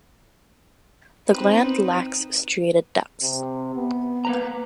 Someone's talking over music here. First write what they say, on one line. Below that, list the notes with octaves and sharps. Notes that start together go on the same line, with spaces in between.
The gland lacks striated ducts.
C4 D#4 B4
C3
B3
A#3 B4 A#5